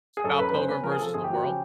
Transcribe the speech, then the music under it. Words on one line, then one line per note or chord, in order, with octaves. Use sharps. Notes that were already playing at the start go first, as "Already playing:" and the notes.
Scott Pilgrim vs. the World.
G#4
F#2 A4
F#2 B4
B4
C#3 C5
C#3 B4
F3 A#4
G#4
F3 A4
G1 G#4
G4
F3 F#4
C#3 G4